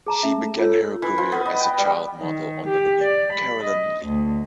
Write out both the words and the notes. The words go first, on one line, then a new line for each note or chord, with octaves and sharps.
She began her career as a child model under the name Carolyn Lee.
G#4 A5 A#5
C#4 E5
A3
F4 A4 C#5
E3
F3
B3
D#5
G5
G3
D#3
G4
D5
B5
D#5
D2